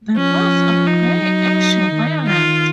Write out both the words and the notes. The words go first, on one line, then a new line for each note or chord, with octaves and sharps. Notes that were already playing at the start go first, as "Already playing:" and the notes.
The buds are grey-ashy-violet.
F3 C#4
D#4
F#3
D#3
F4